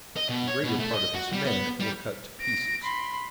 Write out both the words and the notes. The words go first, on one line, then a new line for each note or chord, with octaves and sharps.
The greater part of his men were cut to pieces.
D#5
B2
C#5
B2
A3
D#5
F#4
G3
B3
G3
A#6 D7
B5 C6